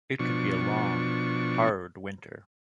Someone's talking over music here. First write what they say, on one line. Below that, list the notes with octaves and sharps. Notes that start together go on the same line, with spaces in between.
It could be a long, hard winter.
B2 F3 D4 C#6